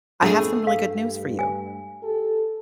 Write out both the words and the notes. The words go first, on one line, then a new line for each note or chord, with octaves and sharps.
I have some really good news for you."
F2 D3 A3 B3 D4 G#4 E5 B5
G2 F5
G#5
G4 A4